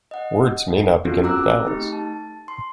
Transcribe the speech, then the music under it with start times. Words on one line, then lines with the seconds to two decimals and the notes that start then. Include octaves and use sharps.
Words may not begin with vowels.
0.11 D#5 F#5
1.05 B3 C#4 F4 F#4 G#4 A4
1.23 C4 A#5 D6 E6 F#6
1.65 A3 D#4 G4
1.93 A5
2.48 C6